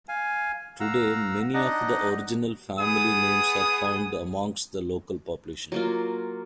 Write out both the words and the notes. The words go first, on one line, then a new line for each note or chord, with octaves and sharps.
Today many of the original family names are found amongst the local population.
F5 G#5
F5 F#5 A#5 E6
D4 D#4 D#5 F#5
B3 G#4 D#6
F#3 A#3 F4